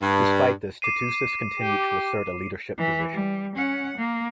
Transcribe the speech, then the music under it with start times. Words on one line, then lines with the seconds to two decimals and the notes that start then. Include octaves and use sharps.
Despite this Tootoosis continued to assert a leadership position.
0.02 G2
0.82 D6 C7 D#7
1.60 G4
2.78 E3
3.13 G3
3.56 C#4 F#5
3.97 A#3